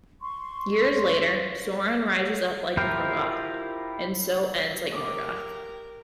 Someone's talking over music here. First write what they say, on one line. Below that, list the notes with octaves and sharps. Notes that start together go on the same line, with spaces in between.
Years later, Sauron rises up like Morgoth, and so 'ends' like Morgoth.
C6 C#6
E4 F4 G4 A#4 C5
G4 A#4 D6 D#6